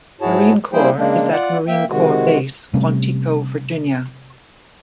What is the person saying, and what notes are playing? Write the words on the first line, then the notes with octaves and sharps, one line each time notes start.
Marine Corps is at Marine Corps Base Quantico, Virginia.
G#2 E4 F#4 G#4 C#5 A5
G3 A#3 E4 G#4 C5 G5
C#3 G#3 A#3 D4
F4 D5 F#5
A#3 E5 G5
C3 D#3 G#3 F#4
C3 G3 A3 C#4